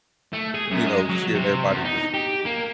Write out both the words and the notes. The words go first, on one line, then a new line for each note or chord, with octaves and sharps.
you know, just hearing everybody just
A3
G#4
F#2
G#3
F#3
C3
E2
D#4
G4
A#3